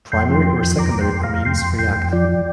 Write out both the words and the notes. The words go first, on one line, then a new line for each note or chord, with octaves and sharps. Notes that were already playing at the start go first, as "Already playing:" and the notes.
Primary or secondary amines react.
F2 G5 C6
F3
F3
F2
C6
F2 A#5 D6
F2
G5 C6
F2
F5 A#5
F2
F2 G5 C6
F2
F2 G5 C6
F2
F3 D5 G5
F3